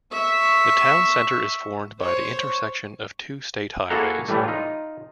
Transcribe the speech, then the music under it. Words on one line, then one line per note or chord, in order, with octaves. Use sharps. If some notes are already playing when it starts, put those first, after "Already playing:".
The town center is formed by the intersection of two state highways.
E5 C#6
C5 C#5
A#3 E4 F#4 G#4 A4 A#5
A2 E3 G3 A3
D#4 F4